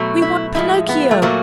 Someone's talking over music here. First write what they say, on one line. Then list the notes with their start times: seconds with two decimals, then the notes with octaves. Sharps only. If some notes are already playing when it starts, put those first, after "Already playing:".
We want Pinocchio!
Already playing: B2 F#3 A3
0.22 E4
0.55 A2 F3 G#3 E4
0.89 B3
1.11 A3
1.22 A#2 F#3 A3 A#3